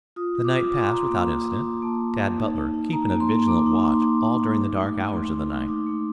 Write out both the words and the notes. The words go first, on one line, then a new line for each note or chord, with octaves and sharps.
The night passed without incident, Tad Butler keeping a vigilant watch all during the dark hours of the night.
F4 D#6
F4
D6
F4
F4 D6
C6
F4 A#5
C6
A#3
F4
A#3
F4
A#3 A5
A#3
A#3
D#4
D#4
D#4
D#4 A#5
A#3
C6
A#3
A#3 D6
D#4
D#4
C6
D#4 D6
D#4
D#4
D#4
A3
D#4
A3 C6
D#4
D#4
D#4 D6
A3